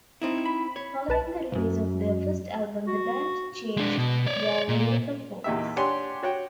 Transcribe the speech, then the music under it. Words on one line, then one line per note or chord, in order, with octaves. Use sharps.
Following the release of their first album the band changed their lyrical focus.
C4 D#4 E4
B5
C#5
B1 B4 A5
B1 F#2
F#4
G#3 D4
B2
C#5 D5
A#2
E2 A#2 D#4 G4 E5
D4 G4 C#5 F#5 G#5 C6
F#4 C#5 F#5 G5